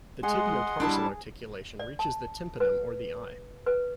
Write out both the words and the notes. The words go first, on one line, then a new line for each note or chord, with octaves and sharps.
The tibio-tarsal articulation reaches the tympanum or the eye.
G#3 G#4 D#5 F#5 C6
G3 D4 E4 A5
D5
A5
B4
B4